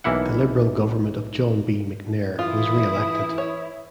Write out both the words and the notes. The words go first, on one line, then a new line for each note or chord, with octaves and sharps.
The Liberal government of John B. McNair was re-elected.
B1 E3 A#3 E4 F#5
E3 E4 F4 D#6
C#5